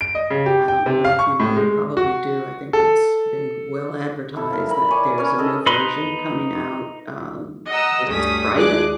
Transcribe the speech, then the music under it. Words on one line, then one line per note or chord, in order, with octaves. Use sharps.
I don't know if you know, you probably do. I think it's been well advertised that there's a new version coming out, um, this Friday.
D7
D#5
C#3
G4
G5
C3
F5
C#6
A2
G#3
F#4
A4
E4 A4
F3 A#4
E4 A#4 B5
C#5 D5 G#5 C#6
C#4 A#4 B4 C#5
G#4 A4 D#5
D#4 B4 B5 C6
D#5 F#5 A#5 E6
D2 G2 A3 C#4 D#6 B6
D#2 G#3 D4 G#4 D6 F#6